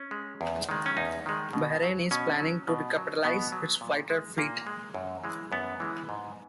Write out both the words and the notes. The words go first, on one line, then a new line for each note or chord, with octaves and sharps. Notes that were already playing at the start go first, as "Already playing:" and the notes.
Bahrain is planning to recapitalize its fighter fleet.
Already playing: C#4
G#3
E2
D#3 G#3
C#4
E2 D#4
D#3 G#3
B2
F#3
B2 C#4
F#3
B2
F#3
B2 B3
F#3
A#2
G#3
A#2 A#3
G#3
F#2
E3 G#3
F#2 B3
E3 G#3
G#2